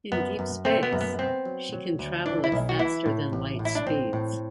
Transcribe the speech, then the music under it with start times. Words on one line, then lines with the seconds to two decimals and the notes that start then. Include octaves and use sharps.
In deep space, she can travel at faster-than-light speeds.
0.12 F#2 B3
0.39 F#2
0.65 A3 C4
0.83 B3
0.93 F#2
1.01 B3
1.19 B3 C4
1.45 F#3
1.73 F#3
1.99 D2
2.26 E3 D4
2.44 E4
2.52 B1
2.69 F#4
2.79 E3 E4
3.06 A2
3.33 A1
3.59 A2
3.65 E4
3.75 D4
3.87 A1 C4
4.13 A2